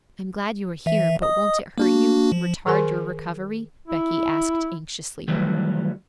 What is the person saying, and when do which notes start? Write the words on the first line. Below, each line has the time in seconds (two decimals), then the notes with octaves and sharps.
I am glad you are here, but won't it hurt you, retard your recovery?' Becky asked anxiously.
0.86 E3 E5
1.22 D#5 D#6
1.78 A#3 D4 F#4
2.32 F3
2.66 D#3 G#4 A#4 G#5 C6
3.88 E4
5.28 D#3 E3 F#3 G3 A3